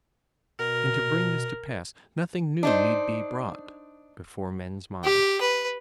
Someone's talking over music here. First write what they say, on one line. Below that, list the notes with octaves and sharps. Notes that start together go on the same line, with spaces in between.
And to bring this to pass, nothing new need be brought before men's minds.
B2 A#4
D4 D#4 C5
G4
B4